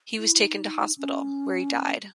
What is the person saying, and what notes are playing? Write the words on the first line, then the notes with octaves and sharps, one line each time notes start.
He was taken to hospital, where he died.
E4
D#4
C#4